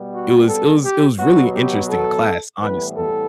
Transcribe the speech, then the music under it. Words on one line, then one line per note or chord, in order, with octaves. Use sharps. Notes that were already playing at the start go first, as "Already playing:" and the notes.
it was it was it was really a interesting class, honestly.
Already playing: B2 G3 B3
F#4
A4
G4
B2 F#3 B3 F#4
G4
A4
A2 E3 G3 B3 B4
A4